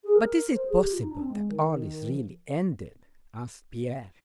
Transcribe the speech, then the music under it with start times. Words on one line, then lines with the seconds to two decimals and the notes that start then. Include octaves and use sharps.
"But is it possible that all is really ended?" asked Pierre.
0.04 G#4
0.15 A#4
0.54 C5
0.66 G#4
0.79 G4
0.92 F4
1.01 D#4
1.11 D4
1.21 C4
1.30 G#3
1.50 D#3
1.68 D#3
2.06 F3